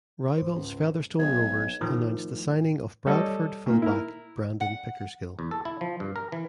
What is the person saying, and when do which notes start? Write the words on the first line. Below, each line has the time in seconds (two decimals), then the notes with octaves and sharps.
Rivals Featherstone Rovers announced the signing of Bradford fullback Brandon Pickersgill.
0.38 G#2 C5
0.55 C#2
1.19 B1 G#4 C5 D#5 G#6
1.81 A2 D#3 F3
3.07 G3 A4 C#5 D#5
3.66 A#2 A#3
3.82 E4 A#4
4.61 F#5
5.39 E2
5.51 A4
5.65 E4
5.81 F3
6.00 G2
6.16 A#4
6.32 E3